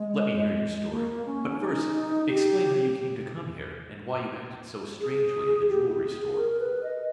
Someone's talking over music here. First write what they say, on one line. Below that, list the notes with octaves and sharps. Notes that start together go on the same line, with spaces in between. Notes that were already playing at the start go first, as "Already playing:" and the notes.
"Let me hear your story. But first explain how you came to come here, and why you acted so strangely at the jewelry store."
Already playing: G#3
A#3
C#4
D#4
G4
G#4
G4
E4
G4
G#4
A#4
B4
D#5